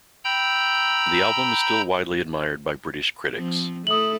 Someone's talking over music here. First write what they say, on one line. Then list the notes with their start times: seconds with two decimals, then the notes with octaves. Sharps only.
The album is still widely admired by British critics.
0.25 G5 A#5 B5 E6 G6
3.35 F3 C4
3.87 A3 E4 A4 D#6 F#7